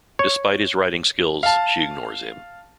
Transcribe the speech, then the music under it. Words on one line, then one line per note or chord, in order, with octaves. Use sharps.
Despite his writing skills, she ignores him.
C#5
F5 A5